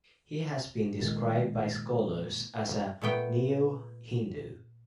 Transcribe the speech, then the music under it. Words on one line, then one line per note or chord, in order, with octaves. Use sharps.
He has been described by scholars as a "neo-Hindu".
A#2 D#3 G#3
A#2 A3 B3 G5